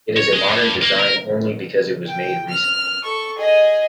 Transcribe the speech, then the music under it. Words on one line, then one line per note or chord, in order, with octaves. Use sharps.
It is a modern design only because it was made recently.
C#5
G#3
G2
A#3
A#4
G5
F6
A4 C#6
G#4 D#5